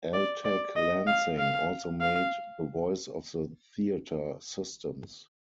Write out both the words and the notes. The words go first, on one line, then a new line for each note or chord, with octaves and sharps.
Altec Lansing also made the Voice of the Theatre systems.
D5
D5
D#5
F5
F5
F5